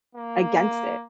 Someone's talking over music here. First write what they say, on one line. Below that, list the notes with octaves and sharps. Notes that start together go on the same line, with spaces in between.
against it.
A#3